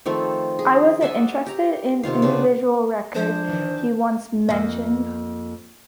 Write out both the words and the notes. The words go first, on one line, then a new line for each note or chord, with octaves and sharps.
"I wasn't interested in individual records," he once mentioned.
D#3 F3 A3 C4
G#4
D5 E5 F#5 G#5
G4 A#5
C3 D#3 F4 F5
C#3 B3 D4
F3 G#3 D4 C5
D#3 E3
F2 A#3